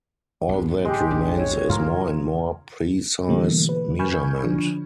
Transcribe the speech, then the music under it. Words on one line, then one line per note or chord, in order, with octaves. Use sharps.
All that remains is more and more precise measurement.
B1 G#2
G#3 G4
A#1 G#2 D4
C#5
G2 C#3 F3 F4 A#4
B2 D3 E3 G3 A3 A#3
B4
G#5 B5 C#6 F6 G6 G#6
D3 F3 D4